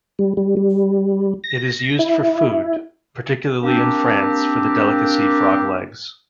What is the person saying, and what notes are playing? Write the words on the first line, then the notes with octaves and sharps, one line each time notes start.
It is used for food, particularly in France for the delicacy frog legs.
G3
G3
G3
A#6
E4
A#3 C4 D4 G4